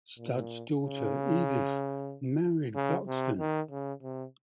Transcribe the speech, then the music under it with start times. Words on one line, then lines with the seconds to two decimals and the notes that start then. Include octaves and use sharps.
Studd's daughter Edith married Buxton.
0.18 A#2
0.82 C#3
2.75 C#3
3.07 C3
3.39 D#3
3.71 C#3
4.02 C3